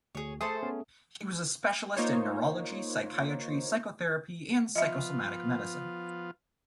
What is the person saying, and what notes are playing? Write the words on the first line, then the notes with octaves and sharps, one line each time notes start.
He was a specialist in neurology, psychiatry, psychotherapy and psychosomatic medicine.
D2 G#4 C#5
A3 G#4 A4 C5 C6 D#6
B3 C#4
A#3 D#4 F4 C5 C#5
F3 B3 F4 D#5 E5